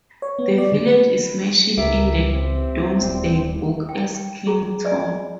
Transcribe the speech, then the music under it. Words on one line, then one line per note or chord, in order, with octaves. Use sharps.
The village is mentioned in the Domesday Book as "Kington".
C#5
B3
D5
D3
B4
C#2 G4 A#4 E5 D7
C4
D#1 G3
G5
G5
G#4 A#5
D5 D#5 F#5 G#5